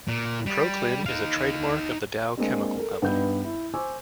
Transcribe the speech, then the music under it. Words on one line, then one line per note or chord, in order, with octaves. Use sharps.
ProClin is a trademark of The Dow Chemical Company.
A#2
G3
D#4 F5
G#3 A#3 C4 D4
A4 A#4
G2 G3 B3 D#4 G6
E4
C5 G#5 C#6 D6 E6